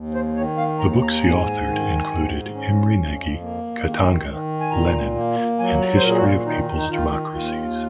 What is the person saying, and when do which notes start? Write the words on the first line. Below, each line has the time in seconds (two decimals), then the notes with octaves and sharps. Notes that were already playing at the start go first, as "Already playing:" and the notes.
The books he authored included "Imre Nagy", "Katanga", "Lenin" and "History of People's Democracies".
Already playing: D#2
0.14 C5
0.36 D#3 C#5
0.57 F5
0.79 D#2 A#5
1.02 A#5
1.13 A#5
1.22 G#2 G#5
1.67 D#3
2.10 G#2
2.54 C#4
2.97 F2
3.41 A#3
3.85 D#3
4.28 D#3
4.60 G#5
4.71 A#2 A#5
5.15 A#3
5.59 F#3 G#5
5.81 A#5
5.95 C5
6.02 A#2 A#4
6.10 G#4
6.18 F#4
6.24 F4
6.46 D#3 D#4
6.77 D#4
6.90 D#3 F4
7.34 D#2 F4